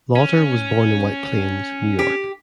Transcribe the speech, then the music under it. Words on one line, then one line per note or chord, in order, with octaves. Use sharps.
Lauter was born in White Plains, New York.
C#4
G4